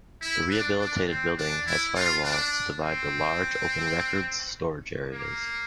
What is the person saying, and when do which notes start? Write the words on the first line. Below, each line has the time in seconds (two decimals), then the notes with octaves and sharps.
The rehabilitated building has firewalls to divide the large, open records storage areas.
0.21 E4
0.50 D4
0.79 D4
1.08 C4
1.37 D4
1.66 E4
1.95 F4
2.24 D4
2.82 C4
5.12 A#3